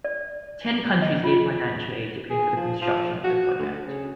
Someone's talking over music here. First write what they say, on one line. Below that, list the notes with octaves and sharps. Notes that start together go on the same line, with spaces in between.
Ten countries gave financial aid to pay for the construction of the project.
D5
D#5
F4
G#4
F3
F3
F#4
D2
C#3